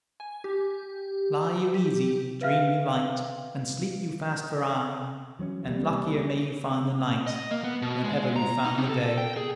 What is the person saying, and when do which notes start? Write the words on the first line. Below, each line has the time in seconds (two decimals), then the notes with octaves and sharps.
Lie you easy, dream you light, And sleep you fast for aye; And luckier may you find the night Than ever you found the day.
0.20 G#5
0.44 G4
1.74 G4
2.41 B4 E5 F5 F6
5.39 E3 F#3 B3 C#4
5.67 C#2 G3 A#3
7.27 D#5
7.51 A#3
7.64 B3
7.82 B2
8.04 G#3
8.36 A#5
8.65 D#4
8.77 C3
8.89 A4
9.18 G5
9.37 G#4